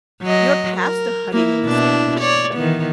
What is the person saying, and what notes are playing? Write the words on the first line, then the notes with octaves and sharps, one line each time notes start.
you're past the honeymoon stage.
F#3 D#5
A#4
A#3 E4
B2 D4 E4
C#5 D5
D#3 E3 B3